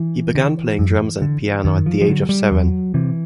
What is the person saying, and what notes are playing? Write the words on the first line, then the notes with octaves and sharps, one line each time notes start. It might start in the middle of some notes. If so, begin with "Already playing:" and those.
He began playing drums and piano at the age of seven.
Already playing: E3
D3
F#2
D3
F#2 D#3
F3
F3
D3 F#3
G3
E2 F#3
C3 E3